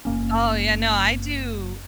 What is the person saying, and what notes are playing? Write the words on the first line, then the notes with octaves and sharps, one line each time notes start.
Oh, yeah, no, I do
F#1 A#3 C#4